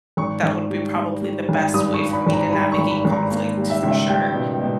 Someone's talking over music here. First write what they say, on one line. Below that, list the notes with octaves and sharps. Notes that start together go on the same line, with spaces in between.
that would be probably the best way for me to navigate conflict for sure.
G#1 C#6
G#1
G3
G3
G3
G#1
G2 D#6
C#6
G3
B5
G#1
A#5
G2 B5
C#6
G#1
B5
G#1
A#5
A#3
G3
E5
C#2
E5
G3 G5
B2
B2